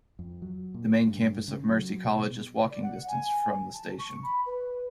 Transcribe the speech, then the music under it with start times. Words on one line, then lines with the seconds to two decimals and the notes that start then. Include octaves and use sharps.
The main campus of Mercy College is walking distance from the station.
0.19 F2
0.42 F#3
0.74 A#2
1.07 G2
1.48 C#3
1.69 F#3
2.05 B2
2.70 D5
2.82 F#5
3.07 G#5
3.73 A5
3.98 C#6
4.22 B5
4.45 B4